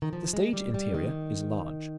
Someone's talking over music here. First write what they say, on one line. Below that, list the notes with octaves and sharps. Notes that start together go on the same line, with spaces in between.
The stage-interior is large.
D#3
F3
G#3
G3
G3
D#3